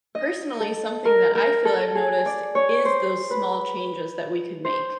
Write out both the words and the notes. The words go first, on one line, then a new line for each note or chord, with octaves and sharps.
Personally, something that I feel I've noticed is those small changes that we could make,
D#5
A4
A#4
A#4
A4
G#4
D5
C#5
C5
B4
C5